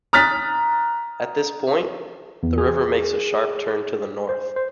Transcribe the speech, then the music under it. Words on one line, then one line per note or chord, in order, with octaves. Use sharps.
At this point, the river makes a sharp turn to the north.
A#5 D#6 F6 F#6 A6 B6
E2
G#4
C5
C5